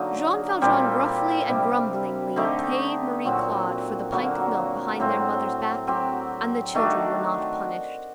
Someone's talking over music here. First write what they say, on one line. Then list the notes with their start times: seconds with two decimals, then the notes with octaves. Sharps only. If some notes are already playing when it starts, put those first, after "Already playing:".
Jean Valjean gruffly and grumblingly paid Marie-Claude for the pint of milk behind their mother's back, and the children were not punished.
Already playing: D3 F#3 A#3 D#4
0.61 A#2 G3 C4 G4
1.49 C3 G3 D4 G4
2.36 D3 A3 D#4 G4
3.25 A#2 F#3 C4 F#4
4.12 D3 F#3 A#3 F#4
5.00 A2 F#3 C4
5.87 F#3 C4 G4
6.75 D#3 A3 D4 F#4